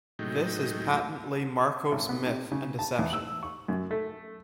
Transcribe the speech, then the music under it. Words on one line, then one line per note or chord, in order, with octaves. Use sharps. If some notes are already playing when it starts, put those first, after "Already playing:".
This is patently Marcos myth and deception.
A2 F#3 G#3 A3 D#4 G5
G#1
B3
C3
C#3
A5
E2
E6
C#6
F#2
A3